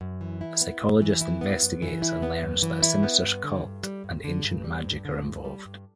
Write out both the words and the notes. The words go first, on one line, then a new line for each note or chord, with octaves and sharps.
The psychologist investigates and learns that a sinister cult and ancient magic are involved.
F#2
E3
E4
B3
F#2
E3
E4
B3
F#2
E3
E4
B3
F#2
E3
E4
B3
G2
D3
G2
G3
G2
D3
G2
G3
G2
D3
G2
G3
G2